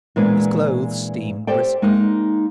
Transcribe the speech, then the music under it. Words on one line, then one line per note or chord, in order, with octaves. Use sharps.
His clothes steamed briskly.
A#2 E3 G#3 B3 D4 B4
G4 A4 C5 D5 G5
G#3 A#3 D#4